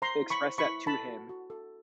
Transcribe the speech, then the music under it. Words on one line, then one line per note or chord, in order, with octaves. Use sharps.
express that to him,
C5 A#5 C6
E4
B5 C#6
C5
B5 C#6
E4
A4 A5 B5
F#4
F#4
A4